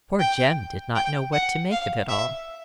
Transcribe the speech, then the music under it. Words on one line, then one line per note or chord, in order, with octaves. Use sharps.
Poor Jem did not know what to make of it all.
G5
G5
F#5
F5
E5